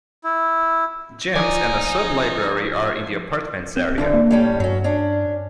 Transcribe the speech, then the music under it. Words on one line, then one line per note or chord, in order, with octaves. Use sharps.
Gyms and a sub-library are in the apartments area.
E4
F3 D#4 D5 G#5
C4
G2 D3 E3 D4
A#3
A2 G3 C#4
G2 F#3 C#4
C#4 D4